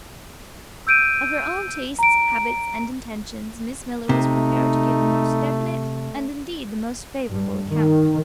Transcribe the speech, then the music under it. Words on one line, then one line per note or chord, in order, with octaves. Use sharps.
Of her own tastes, habits, and intentions Miss Miller was prepared to give the most definite, and indeed the most favorable account.
E6 G6 D7 D#7
A#5 D7
C3 A3 D#4
G2
D#3